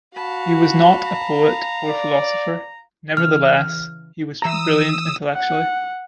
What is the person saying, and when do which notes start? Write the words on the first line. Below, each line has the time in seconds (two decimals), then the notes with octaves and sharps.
He was not a poet or philosopher, nevertheless he was brilliant intellectually.
0.15 F#4 F5 A5 B5
1.06 A#5
1.88 D5
3.17 C#3 E3 F6
4.42 E3 A#5 D#6 E6
5.33 F#5